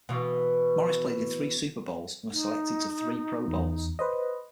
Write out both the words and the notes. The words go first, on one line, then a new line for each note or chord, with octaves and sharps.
Morris played in three Super Bowls and was selected to three Pro Bowls.
B2 E3
D#4
E2
B4 C5 D#5